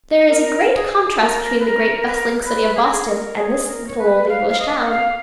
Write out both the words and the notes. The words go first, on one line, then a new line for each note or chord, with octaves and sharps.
There is a great contrast between the great bustling city of Boston and this little old English town.
A#4
G#4
G#4
A#4
B4
A#4
B4
A#4
B4
G#4
A#4
G#4
A#4
G#4
A#4
C#5
B4
F5
F5
D#5
F#5
F5